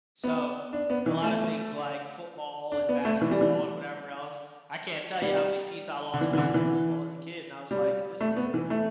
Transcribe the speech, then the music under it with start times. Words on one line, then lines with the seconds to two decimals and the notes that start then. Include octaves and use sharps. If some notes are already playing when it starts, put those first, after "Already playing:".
so, a lot of things like football and basketball or whatever else I can't tell you how many teeth I lost trying to play football as a kid, and I was like, "This isn't for me."
0.24 B3
0.73 D4
0.90 B3
1.06 E3
1.22 A3
2.72 D4
2.89 B3
3.05 A3
3.21 E3
3.31 G3
3.41 E3
5.22 G3
6.14 D3
6.21 E3
6.33 E3
6.38 D3
6.54 E3
7.71 G3
8.21 A3
8.36 B3
8.54 E3
8.70 A3